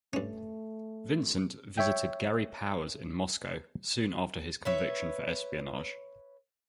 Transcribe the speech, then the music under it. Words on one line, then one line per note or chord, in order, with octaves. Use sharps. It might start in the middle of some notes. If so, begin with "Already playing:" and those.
Vincent visited Gary Powers in Moscow soon after his conviction for espionage.
G2 A3 C#4
C#5 E5 G5
B4 C#5 E5